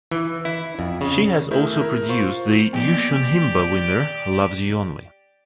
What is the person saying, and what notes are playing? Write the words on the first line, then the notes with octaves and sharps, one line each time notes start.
She has also produced the Yushun Himba winner Loves Only You.
E3
E4
F2
C#3
A3 E4 G#4 A#4 E5 G6
E4 A#4
F4 C5 C#6
F3 A#3 B3 G4 D5